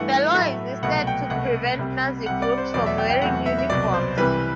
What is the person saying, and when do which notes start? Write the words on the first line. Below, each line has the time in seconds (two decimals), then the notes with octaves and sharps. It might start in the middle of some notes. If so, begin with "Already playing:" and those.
The law existed to prevent Nazi groups from wearing uniforms.
Already playing: G2 E3 A3 F#5
0.34 A2 F#3 A3 E5
0.82 C2 B2 F#3 A3 F#5
1.07 G5
1.30 C2 B2 A3 F#5
1.79 C2 C3 G3
2.26 C2 C3 G3 F#5
2.42 D5
2.58 C5
2.74 E2 B2 F#3 D5
2.86 E5
2.98 G5
3.10 G5
3.22 E2 C3 F#3 A3 F#5
3.46 E5
3.58 E5
3.70 C2 B2 F#3 D5
3.94 C5
4.17 C2 C3 E3 G3 B4